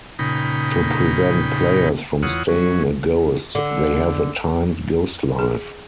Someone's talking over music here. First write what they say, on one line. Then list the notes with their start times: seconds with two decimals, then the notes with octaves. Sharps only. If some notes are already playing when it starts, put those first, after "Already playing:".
To prevent players from staying a ghost, they have a timed ghost life.
0.19 A#2 C#3 D#4 G5 B5
2.23 E2 F4 C#5 F#5 D#6
2.48 F#3 C#4
3.55 D3
5.39 G#4